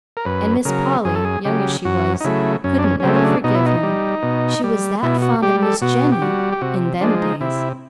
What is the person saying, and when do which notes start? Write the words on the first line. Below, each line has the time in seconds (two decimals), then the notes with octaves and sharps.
An' Miss Polly--young as she was--couldn't never forgive him; she was that fond of Miss Jennie--in them days.
0.17 A#4
0.25 F#2 B4
0.65 C#3 F#3 A#4
1.05 F#2 G#4
1.15 A4
1.25 G#4
1.45 C#3 F#3 G4
1.85 F#2 F#4
2.20 D#4
2.24 C#3 F#3 A3 E4
2.64 F#2 C#4
2.79 D4
2.84 C#4
3.00 C#4
3.04 C#3 F#3 A3 C4
3.16 C#4
3.24 D4
3.44 B2 D#4
3.55 E4
3.66 D#4
3.83 G3
4.23 B2
4.64 G3
5.03 B2 E4
5.22 F#4
5.42 G3 G4
5.62 A4
5.82 B2 F#4
6.12 G4
6.22 G3 F#4
6.52 G4
6.61 C3 F#4
7.01 F3 G#3 D4
7.22 D#4
7.41 C3 E4